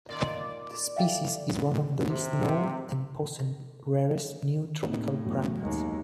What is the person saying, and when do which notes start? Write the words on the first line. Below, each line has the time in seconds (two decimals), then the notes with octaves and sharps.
The species is one of the least known and possibly rarest Neotropical primates.
0.09 A#2 D#3 F4 D5
0.96 G4 A4 E5 F5 G5
2.09 C3
4.86 D#2 A2 C3 D#4
5.24 A1 F#2 B2
5.58 D#2 G#3